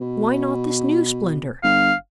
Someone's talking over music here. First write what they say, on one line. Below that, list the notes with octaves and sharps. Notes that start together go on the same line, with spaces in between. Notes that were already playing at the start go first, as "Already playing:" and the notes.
Why not this new splendor?
B2
G1 F5